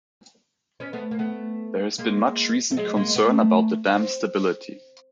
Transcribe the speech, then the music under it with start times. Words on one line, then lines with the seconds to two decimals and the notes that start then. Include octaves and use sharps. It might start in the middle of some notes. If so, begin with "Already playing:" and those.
There has been much recent concern about the dam's stability.
0.80 B3 C#4
0.93 A3 B3
1.11 A#3
1.19 A3 B3
1.98 G#3 A#3
2.71 A3
2.77 F#3 G#3
2.96 G#3 A#3
3.16 A3 B3
3.94 C4